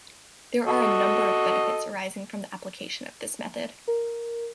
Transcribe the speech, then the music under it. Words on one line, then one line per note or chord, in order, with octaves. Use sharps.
There are a number of benefits arising from the application of this method.
F#4 A4 D#5
A#4